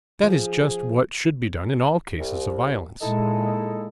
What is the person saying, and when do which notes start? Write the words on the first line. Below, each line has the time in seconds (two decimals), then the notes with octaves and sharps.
That is just what should be done in all cases of violence.
0.24 F3 G#4
2.19 C2
3.02 A#2 G#3 D#4 E4 A4